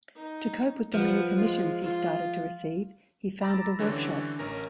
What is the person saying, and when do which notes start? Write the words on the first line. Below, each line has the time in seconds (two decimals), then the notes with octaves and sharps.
To cope with the many commissions he started to receive, he founded a workshop.
0.15 D#4
0.94 F3 B4 F#5
1.36 G#3 F4
1.81 F4
3.41 A#5 B5 D6 E6 A6 A#6
3.79 D3 E3 G3 C#4 D4
4.39 A1 C#4 A#4 A#6